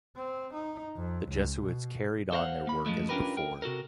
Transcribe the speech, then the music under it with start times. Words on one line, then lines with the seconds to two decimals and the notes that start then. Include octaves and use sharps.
The Jesuits carried on their work as before.
0.16 C4
0.54 D#4
0.96 F2
1.28 C#2
1.60 B2
2.32 A4 C5 D#5 F5 F#5
2.67 A#3 B5
2.86 F#2 F3 G#3 A3
3.09 C#4 D4 F4 G4 A#4 B4
3.37 A#4 G5
3.62 C3 F#4 A4 A#4